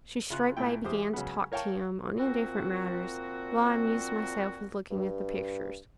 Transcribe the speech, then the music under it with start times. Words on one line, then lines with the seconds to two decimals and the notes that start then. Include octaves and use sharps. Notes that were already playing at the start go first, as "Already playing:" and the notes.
She straightway began to talk to him on indifferent matters, while I amused myself with looking at the pictures.
0.30 C#3 F4 F#6
0.57 A#2 A3 E4 G5
0.85 E2 G#3 G4 C5 D#6
1.13 C#3 F#3 G#3 B3
1.52 A#4 C#5 F5 G5 A5 C#6
2.17 A#2 F3 C4 F#4
4.91 G2